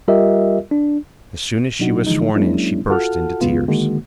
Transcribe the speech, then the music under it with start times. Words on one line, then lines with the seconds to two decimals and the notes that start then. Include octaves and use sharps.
As soon as she was sworn in she burst into tears.
0.08 G3 F4 G4 A#4 D#5 E5
0.71 D4
1.79 B2 F#3 D4 D#4 F#4
2.07 D3 E3 F3 G#3 D#4
2.35 F#3 G#3 A#3 C#4 D4 E4
2.89 F4 F#4 A4 F#5 A5 F6
3.41 C#2 F#2 C#3 G#3 B3 F4
3.68 D3 D#3 G#3 A#3 F#4